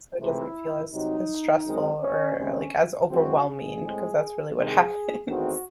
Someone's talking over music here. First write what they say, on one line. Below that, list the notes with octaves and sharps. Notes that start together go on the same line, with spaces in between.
So, it doesn't feel as as stressful or, like, as overwhelming 'cause that's really what happens.
C#2 C3 E3 A3 C4 E4
C2 C3 F#3 D#4
F#2 D#3 G#3 C4
C#4
D#2 C#3 G#3 C4 C#4
F#2 E3 G#3 C4 F#4
G#4
A2 G#3 C4
C2 C3 D#3 G#3 G#4
E2 D#3 A3 C4 F#4